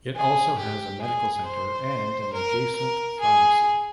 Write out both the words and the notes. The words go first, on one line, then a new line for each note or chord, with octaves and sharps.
It also has a Medical Centre and an adjacent Pharmacy.
G#4
G4
G#4
C5
A#4
A#4
G#4